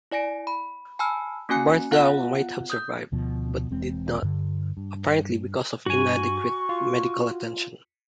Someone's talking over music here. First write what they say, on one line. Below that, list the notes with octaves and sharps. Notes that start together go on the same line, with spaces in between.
Barthou might have survived, but did not, apparently because of inadequate medical attention.
E4 D5 G#5 A#6 D7
B5
G#5 A5 B5 E6 F6
A#3 C#4 F#4 G#5 F#6 C#7
B3 F4 F5 F#5 F#6
D#6 G6
D2 B2 F3
E1 E2 G#3 C4
G2 D3
G2
G2 F#4 G#5 C#6
F4